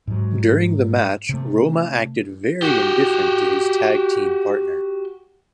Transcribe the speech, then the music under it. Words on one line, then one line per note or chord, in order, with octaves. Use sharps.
During the match, Roma acted very indifferent to his tag team partner.
G#2 F#3
C3 A3
F#4 G4